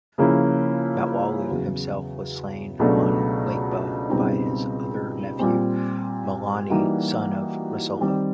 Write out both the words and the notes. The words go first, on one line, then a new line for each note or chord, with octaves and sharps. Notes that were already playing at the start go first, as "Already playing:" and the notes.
Matawalu himself was slain on Lakeba by his other nephew Malani, son of Rasolo.
C#3 F3 A#3 C#4 E4
E2 C#3 F#3
C#2 B2 F#3 A3 D4
C#2 B2 G3 C4 D#4
A#2 G3 C4
E3 G3 A#3 D#4 F#4
D#3 G3 C4